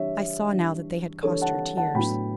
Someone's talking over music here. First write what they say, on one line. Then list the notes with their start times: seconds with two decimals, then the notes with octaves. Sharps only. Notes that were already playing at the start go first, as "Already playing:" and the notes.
I saw now that they had cost her tears.
Already playing: E3 G3 D4 C#5 E5
0.52 E3 G3 D4
1.23 E3 G3 D4 A4 C#5
1.41 F#5 A5
1.77 F#5 A5
1.94 A2 F#3 B3 D4 G5 B5